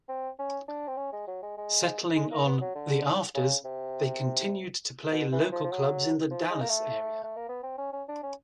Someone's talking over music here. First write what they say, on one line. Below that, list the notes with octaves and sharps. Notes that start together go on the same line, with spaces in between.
Settling on "The Afters", they continued to play local clubs in the Dallas area.
C4
C#4
D4
C4
C#4
G#3
F#3
G#3
G#3
G#3
A#3
B3
F#3
D3
C#3
C3
B2
E3
F3
F3
F#3
F3
G#3
A#3
A3
A3
A#3
B3
C4
C#4
C#4
D4
C#4